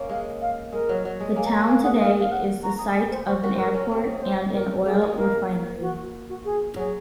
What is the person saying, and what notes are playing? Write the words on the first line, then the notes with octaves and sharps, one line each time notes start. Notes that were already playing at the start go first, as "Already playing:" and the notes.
The town today is the site of an airport and an oil refinery.
Already playing: A#3 C#4
G#3 F5
F5
G#3 A#4
F#3
F#3
G#3
A#3 G#5
A#5
G#5
A#3 G#5
G#4 F#5
G#4 F5
F5
F#5
F#4 A#5
G#4
G#5
C5
F#4 C5
F#4 A#4
C5
F#4 A#4
C#4
C4
G#3
C#5
C5
A#4
A#3 G#4
G#3
A#3 A#4
F#4
F#4
G#4
F#3 G#4